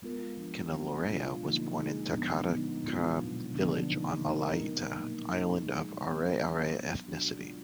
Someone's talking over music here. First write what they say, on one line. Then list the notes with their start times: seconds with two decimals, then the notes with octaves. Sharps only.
Kenilorea was born in Takataka village on Malaita island, of 'Are'are ethnicity.
0.02 G#3 B3 F4 A#4
0.37 F3 G#3 D4
0.73 F#3 B3 D4
1.07 B2 G#3 D4 F4
1.42 D3 F3 A#3 D#4
1.78 G#3 D#4 G#4
2.13 A#2 F3 G#3 B3 D4
2.48 D3 F3 B3 D#4
2.84 A#2 G#3 B3 F4
3.19 B2 F#3 D4
3.54 D3 F3 B3 D4
3.90 D#3 A#3 D#4
4.26 D#3 G#3 D#4 A#4
4.60 A#2 F#3 B3
4.95 B2 F#3 A#3 D#4
5.31 F#3 A#3 D#4
5.66 F3 G#3 D#4 G#4
6.01 D#3 G#3 B3
6.37 F#3 B3 D4
6.72 D#3 F#3 B3
7.08 B2 F#3 D4 F#4
7.43 G#3 D4 F4